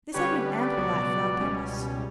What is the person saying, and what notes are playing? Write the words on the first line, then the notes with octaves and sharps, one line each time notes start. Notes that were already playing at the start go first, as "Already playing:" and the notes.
This had been ample light for our purpose.
D3 G3 C#4 G4 B4 C#5
D5
C#2 B2 F#3 B3 F#4
C#2 B2 G3 C#4